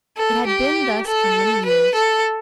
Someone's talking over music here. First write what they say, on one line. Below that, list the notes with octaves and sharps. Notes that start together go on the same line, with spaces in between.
It had been thus for many years.
A4
G4
A4
B4
A4